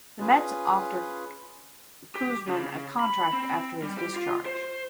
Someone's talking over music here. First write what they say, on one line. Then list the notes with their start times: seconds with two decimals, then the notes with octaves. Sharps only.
The Mets offered Koosman a contract after his discharge.
0.20 C#4 F4 G#4 B4
2.15 G4
2.47 C#3
3.00 B5
3.33 C4
3.83 G3
3.98 G4
4.16 F4
4.46 C5